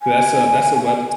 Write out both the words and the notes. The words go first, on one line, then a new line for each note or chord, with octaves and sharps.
That's a that's a webs
G#5